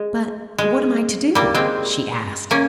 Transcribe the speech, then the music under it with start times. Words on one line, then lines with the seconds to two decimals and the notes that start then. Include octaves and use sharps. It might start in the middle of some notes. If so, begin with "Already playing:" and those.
"But what am I to do?" she asked.
Already playing: G#3
0.58 G#3
1.35 G3 A#3
1.54 G#3 C4
2.51 A#3 C#4